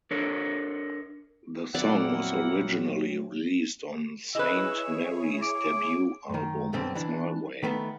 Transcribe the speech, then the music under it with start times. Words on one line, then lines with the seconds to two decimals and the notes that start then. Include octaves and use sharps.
The song was originally released on Sainte-Marie's debut album It's My Way!
0.11 D4 A4 A#4 C#5
1.75 F2 A#2 F#3 A#3 C4 E4 D5 F#5
4.35 E4 G#4 B4 C#5 D#5 E6
5.42 D6
6.30 F#2 D#3
6.73 B1 F#2 D3 G3 C4
6.95 E3 D4
7.63 D#3 A3 B3